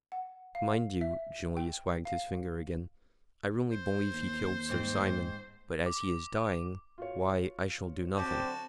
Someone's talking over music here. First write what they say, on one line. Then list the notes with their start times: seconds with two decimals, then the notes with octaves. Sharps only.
Mind you"--Julius wagged his finger again--"I really believe he killed Sir Simon, but as he is dying, why, I shall do nothing.
0.12 F#5
0.55 F5
1.01 E5
1.57 G5
2.05 F5
3.72 C5
4.13 D#2
4.69 G#2 C4
5.86 D6
6.98 F4 F#4 C#5
8.17 D3 F#3 C4 F#4 G4 A5